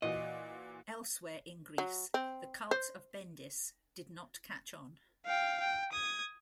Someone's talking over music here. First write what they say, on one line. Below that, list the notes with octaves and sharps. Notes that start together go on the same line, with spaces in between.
Elsewhere in Greece, the cult of Bendis did not catch on.
A#2 E3 F#4 D#5
F#3
C4
C5
F5 G5
G5
D#6 G#6